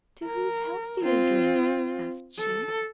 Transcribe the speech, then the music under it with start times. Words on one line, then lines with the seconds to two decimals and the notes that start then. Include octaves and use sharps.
'To whose health do you drink?' asked she.
0.25 A#4
1.02 C4 F4
2.39 A4